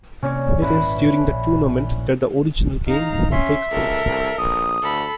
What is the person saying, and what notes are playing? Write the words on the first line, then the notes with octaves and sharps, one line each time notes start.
It is during the tournament that the original game takes place.
C3 A#3 C#4 D5
D#1 G#1 C#4 E4 B4 B5
A#1
D#4 F5 A#5
C#4 E5 C6
C#2 A4 A#4
C2
A#1 D#6
D2 A4 B5